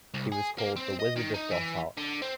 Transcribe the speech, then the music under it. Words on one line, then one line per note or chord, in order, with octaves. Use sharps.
He was called The Wizard of Dot Art.
C2
G#4
A#3
C4
D#5
D#3
D#4
E3
D3
C4